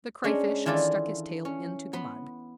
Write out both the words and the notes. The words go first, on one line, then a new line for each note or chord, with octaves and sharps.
The Crayfish stuck his tail into the mud.
G#3 C#4 D4
D#3 E3 D4 F4 A4 D5
C#4
B3 B5 C6